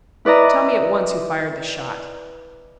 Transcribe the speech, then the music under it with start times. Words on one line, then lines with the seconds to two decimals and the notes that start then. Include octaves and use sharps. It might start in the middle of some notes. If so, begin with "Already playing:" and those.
"Tell me at once who fired that shot?"
0.25 E4 B4 D5 D#5 A#5